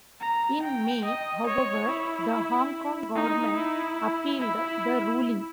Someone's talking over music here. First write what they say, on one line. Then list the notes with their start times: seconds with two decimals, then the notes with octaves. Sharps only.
In May, however, the Hong Kong Government appealed the ruling.
0.21 A#5
0.62 G5
1.04 D#5
1.46 C#5
1.88 E4
3.14 D#4
3.56 E4
4.40 E4